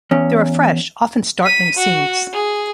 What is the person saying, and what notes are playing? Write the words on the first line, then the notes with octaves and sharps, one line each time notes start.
There are fresh, often startling scenes.
E2 C#4
B6 D#7
F#4
G#4